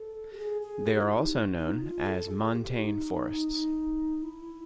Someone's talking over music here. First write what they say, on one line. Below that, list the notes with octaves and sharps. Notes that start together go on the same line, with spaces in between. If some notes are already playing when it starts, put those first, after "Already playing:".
They are also known as montane forests.
Already playing: A4
G4
G#4
G#4
G4
E4
D#4
D#4
F4
A4
G#4
G4
D#4
E4